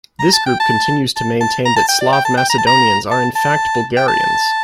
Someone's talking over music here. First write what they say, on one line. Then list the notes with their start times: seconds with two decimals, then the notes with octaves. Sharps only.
This group continues to maintain that Slav Macedonians are in fact Bulgarians.
0.20 A#5
0.33 A5
0.46 G5
0.60 A5
1.16 A5
1.41 A5
1.65 A#5
1.76 A5
1.88 G5
2.01 D5
2.13 G5
2.25 A5
2.37 G5
2.50 A#5
2.58 A5
2.67 A#5
3.11 A5
3.35 A5
3.97 G5
4.08 A5